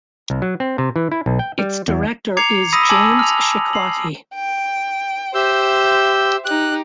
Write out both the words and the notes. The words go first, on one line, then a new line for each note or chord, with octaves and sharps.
Its director is James Shikwati.
C2
F#3
C4
C3
E3
E4
B1
G5
G3
E2
A#5 D6 G#6 C7 C#7 F7
B5 D#6 E6 A#6 B6 D#7
G#5 A5 D6 E6 G#6 F#7
F6 F7
C7 F#7
G5
G4 C5 E5 E6 G6
D#4 G4 F#6